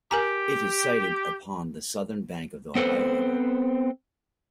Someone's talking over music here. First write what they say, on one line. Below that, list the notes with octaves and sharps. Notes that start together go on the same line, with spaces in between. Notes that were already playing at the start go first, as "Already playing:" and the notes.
It is sited upon the southern bank of the Ohio River.
G4 A#4 G#5 A#5
B3 C4 A4 B4 C5